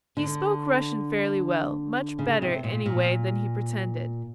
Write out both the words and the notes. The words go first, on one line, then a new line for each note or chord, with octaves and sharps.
He spoke Russian fairly well, much better, anyway, than he pretended.
D3
C#3
C3
A#2
A#2